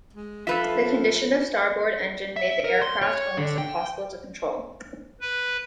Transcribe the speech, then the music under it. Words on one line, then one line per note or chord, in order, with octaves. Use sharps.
The condition of the starboard engine made the aircraft almost impossible to control.
G#3
F3 F4 A4 B4 E5
E5
A#4
C6
C#5
D3
G5
B4